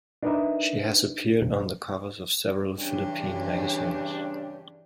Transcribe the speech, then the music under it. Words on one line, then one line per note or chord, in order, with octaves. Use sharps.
She has appeared on the covers of several Philippine magazines.
D4 D#4 A#4 B4 D#5 E5
G2 C#3 E3 C#4 D4 G4